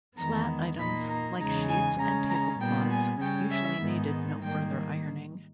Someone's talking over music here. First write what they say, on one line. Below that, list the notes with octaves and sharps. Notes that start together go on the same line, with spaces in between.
Flat items, like sheets and tablecloths, usually needed no further ironing.
E2 D#3 G#3 B3 A#5
A#2 A#3 D#4 B5
A#5
E2 C#3 G#3 D#4 A#5
G#5
C#3 G#3 C#4 A#5
A#5
A#2 G3 B3 G5
G#5
C#3 G3 C#4 G5
E5
G#2 D#3 G#3 B3 D#4
G#2 D#3 G3 A#3 G5